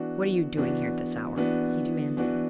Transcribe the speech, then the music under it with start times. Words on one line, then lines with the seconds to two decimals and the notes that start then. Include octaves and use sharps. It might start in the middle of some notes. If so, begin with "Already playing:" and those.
"What are you doing here at this hour?" he demanded.
Already playing: E3 B3 D4 F#4
0.57 E3 B3 D4 F#4
1.36 E3 B3 D4 F#4
2.17 E3 B3 D4 F#4